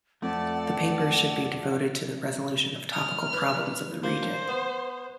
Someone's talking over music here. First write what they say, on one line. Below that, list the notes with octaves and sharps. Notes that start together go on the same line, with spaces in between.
The papers should be devoted to the resolution of topical problems of the region.
F2 A3 D5 F#5 A5
D#6 F6
D4 B4
A#3 C5
B3